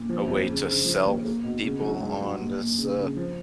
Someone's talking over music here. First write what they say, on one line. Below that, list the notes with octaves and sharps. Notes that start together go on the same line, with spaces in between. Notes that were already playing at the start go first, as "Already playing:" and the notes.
a way to sell people on this, uh,
Already playing: A#2
F3
F2
C#3
C#3
F3
D#2
A#3
B2
C#3
F#3
G#2
F#3
A#2
A#2
C#3
C#3
F3